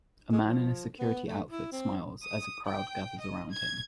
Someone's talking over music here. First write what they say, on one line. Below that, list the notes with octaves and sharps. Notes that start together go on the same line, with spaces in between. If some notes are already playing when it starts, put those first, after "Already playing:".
A man in a security outfit smiles as a crowd gathers around him.
G#3
F3
B3
A3
E4
C4
D#6
G5
D#5
G#6